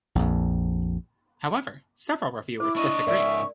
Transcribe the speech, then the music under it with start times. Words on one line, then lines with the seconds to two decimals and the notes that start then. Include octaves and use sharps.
However, several reviewers disagree.
0.15 A#1 F2
2.60 E4 C5 D6
2.76 D4 D#5 C#6
3.07 G#2 C#3 A#4 D5 E5